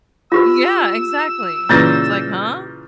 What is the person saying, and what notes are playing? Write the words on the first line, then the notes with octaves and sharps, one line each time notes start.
Yeah, exactly. It's like, huh?
F4 G4 B4 E6
A#2 C#3 E3 G6 A6 A#6